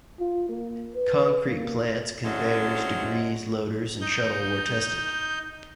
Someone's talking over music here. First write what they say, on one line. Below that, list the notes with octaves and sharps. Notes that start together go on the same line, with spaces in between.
Concrete plants, conveyors, degrees, loaders and shuttle were tested.
F4
A#3
B4
A#3
D3 F#3 G#3 C4 C#4 E4
D#4 G6